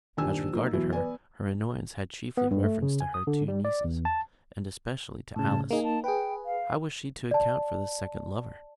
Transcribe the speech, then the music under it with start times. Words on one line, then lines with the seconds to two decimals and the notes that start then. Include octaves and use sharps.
As regarded her, her annoyance had chiefly reference to her two nieces, and especially to Alice. How was she to account for this second lover?
0.17 D#1 D#3 D4 G4 G#5 E6
0.53 F#3 A#3 D#4 D#5
0.73 B2 E3 F#3
0.93 B3 B4 D5 G#5
2.37 B3
2.51 G2
2.64 A3
2.82 C#3
3.01 G#5
3.14 D#6
3.27 D3
3.48 G3
3.65 D5
3.84 E2
4.05 A5
5.36 A2 C#3 A5
5.71 A#3 D#4 G#4
5.84 A5
6.04 G#4 B4 G5
6.46 F5
7.31 D5 A5